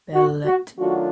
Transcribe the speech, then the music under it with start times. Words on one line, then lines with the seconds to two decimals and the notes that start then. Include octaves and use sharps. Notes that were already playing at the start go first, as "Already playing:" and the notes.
Bell et.
0.14 F#4
0.46 F#4
0.77 D#3 F#3 A3 D4 F4 F#4